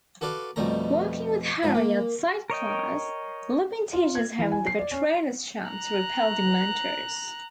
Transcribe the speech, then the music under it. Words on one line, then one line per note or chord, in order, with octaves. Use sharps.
Working with Harry outside class, Lupin teaches him the Patronus Charm to repel Dementors.
F#4 A4 B4 D5 F5
F2 B2 G3 A3 A#5
G#2 F3 F4
A#3
A#4 C#5 D#5 G5
F4
G#6
E3
G#5
C7
D5
C#4
A#5 F#6